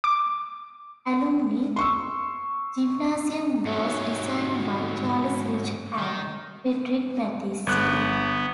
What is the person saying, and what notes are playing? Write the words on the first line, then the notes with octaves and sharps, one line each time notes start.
Alumni Gymnasium was designed by Charles Rich and Fredrick Mathesius.
D6
C6 C#6 E6
G#2 F#3
D#3
G1 B3 F#6